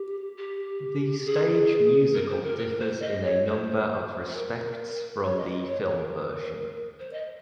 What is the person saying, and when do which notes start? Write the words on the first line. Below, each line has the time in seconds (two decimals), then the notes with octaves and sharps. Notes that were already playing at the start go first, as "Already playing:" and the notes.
The stage musical differs in a number of respects from the film version.
Already playing: G4
0.37 G4
1.26 G#4
2.13 A#4
2.29 C5
2.43 A#4
2.58 A#4
2.80 C5
3.02 D#5
3.24 C#5
3.45 C5
4.35 A#4
5.23 C#5
5.37 D#5
5.52 D#5
5.67 C#5
5.81 C#5
5.96 A#4
6.99 C5
7.13 D#5